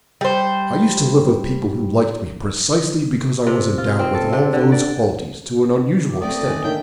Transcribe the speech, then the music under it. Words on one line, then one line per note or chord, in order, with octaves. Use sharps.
I used to live with people who liked me precisely because I was endowed with all those qualities to an unusual extent.
G3 C5
C3
F4
C4
A4
C3
D3
D5
G4
A3 C4 D5 G5 D#6
A4
D#3 G#5
D#3 A#3 D4 D#4 C#5 E5 G5